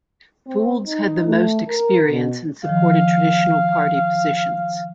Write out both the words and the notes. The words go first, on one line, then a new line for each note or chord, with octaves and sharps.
Foulds had the most experience and supported traditional party positions.
C4
D#4
A3
A#4
B2
D#3 F3 F5